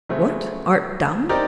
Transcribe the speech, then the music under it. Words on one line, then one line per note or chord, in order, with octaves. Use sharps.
What, art dumb?
C#3 F#3 A3 C4
C4 D#4 G4 A#4 D5